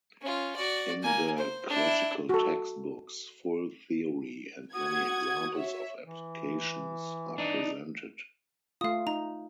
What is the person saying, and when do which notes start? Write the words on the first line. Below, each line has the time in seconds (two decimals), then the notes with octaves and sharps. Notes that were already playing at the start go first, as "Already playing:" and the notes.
In the classical textbooks full theory and many examples of applications are presented.
0.21 C#4 F4
0.56 F#4 D5
1.03 A#3 G#5
1.38 C5
1.70 D4 E4
2.29 F#4 A4
4.74 F#4 F#5 D#6 G#6
5.56 C#5 E5
6.05 E3
7.38 D4 D#4
8.81 A3 F4 F5 D#6
9.07 D#4 A#5